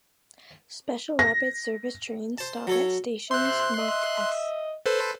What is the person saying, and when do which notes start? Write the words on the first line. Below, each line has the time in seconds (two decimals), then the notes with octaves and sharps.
Special Rapid Service trains stop at stations marked "S".
1.19 A#6
2.38 C5 A5
2.67 F#3 A4 C#5
3.31 C5 E5 C6 F#6
3.78 D#5 E5
4.86 A4 B4 C5